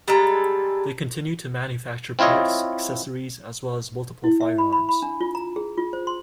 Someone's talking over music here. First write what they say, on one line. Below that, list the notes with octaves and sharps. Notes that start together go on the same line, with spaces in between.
They continue to manufacture parts, accessories, as well as multiple firearms.
G3 G#3 A4 A#5
C4 E4 F4 C#5 D#5
E4
E5
B5
B5
B5
D4
F4
A#5
G#4
F4
C5
C6